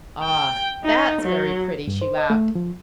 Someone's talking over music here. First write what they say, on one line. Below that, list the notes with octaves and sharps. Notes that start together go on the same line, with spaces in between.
"Ah, that's very pretty!" she laughed.
G5
D#4
F#3
G2
C5
D#5
A3
F3